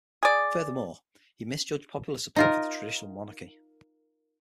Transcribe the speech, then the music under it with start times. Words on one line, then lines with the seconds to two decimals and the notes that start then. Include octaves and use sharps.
Furthermore, he misjudged popular support for the traditional monarchy.
0.23 G#4 D5
2.36 D#4 F4 A#4